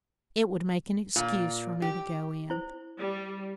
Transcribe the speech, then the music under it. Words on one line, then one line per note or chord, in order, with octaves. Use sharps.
It would make an excuse for me to go in.
A#2
G4
E4 C5
G3